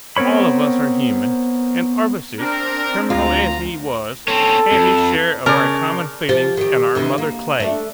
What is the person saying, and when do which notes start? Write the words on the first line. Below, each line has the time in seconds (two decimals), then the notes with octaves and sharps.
All of us are human, and Arbaces, criminal as he was, had his share of our common feelings and our mother clay.
0.17 B3 C4 A#4 C#5 B5
2.39 C4 D4 A#4
3.10 D2 F4 A#5
4.28 C4 C#4 A4
4.72 F2
5.46 C#3 A#4 D5 A5
6.29 F3 G4
6.57 D#3 G4
6.95 D2 D#3 E3
7.18 A#3
7.60 A3 D4